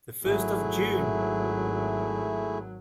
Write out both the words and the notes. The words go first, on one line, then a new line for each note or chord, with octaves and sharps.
The first of June!
G#1 F#3 A3 E4 G#4